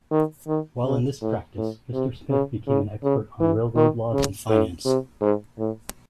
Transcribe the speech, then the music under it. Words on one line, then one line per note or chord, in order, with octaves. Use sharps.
While in this practice, Mr. Smith became an expert on railroad law and finance.
D#3
D#3
C#3
A2
A2
C3
C#3
C#3
C#3
E3
D#3
C#3
A2
C3
G#2
A2